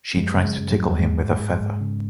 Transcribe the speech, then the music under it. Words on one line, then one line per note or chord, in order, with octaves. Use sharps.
She tries to tickle him with a feather.
F#2 G#3
C#3
G#3
F#2
F#3
F#2
F#3
G#2 G#3
G#2
G#2
G#2
C#3